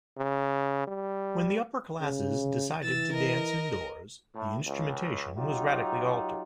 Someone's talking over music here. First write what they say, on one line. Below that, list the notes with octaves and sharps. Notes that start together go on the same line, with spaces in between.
When the upper classes decided to dance indoors, the instrumentation was radically altered.
C#3
G3
C#3
E3 E6 A6
A#4 D#5
A2
C#2
F#3 D#4 F4 G4